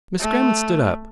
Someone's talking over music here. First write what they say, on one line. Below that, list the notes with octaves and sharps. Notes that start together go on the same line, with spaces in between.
Miss Grammont stood up.
A3